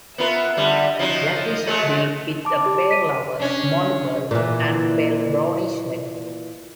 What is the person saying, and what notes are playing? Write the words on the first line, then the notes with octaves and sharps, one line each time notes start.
Blackish bill with a pale lower mandible and pale brownish legs.
B3 F4 A#4 E5
D3 G3
F3 F#3 D#4 D#5
F#3 G#3 A3
A5 D6
G4
B6 D#7
C#4 D4
A#2 E3